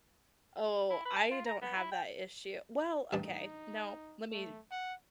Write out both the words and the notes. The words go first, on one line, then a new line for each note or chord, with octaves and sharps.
Oh, I don't have that issue well, okay. No, let me
E4
B4
A5
F4
A#5
B3
E4
G5
A1 G2 D#4 A5
A3
F#5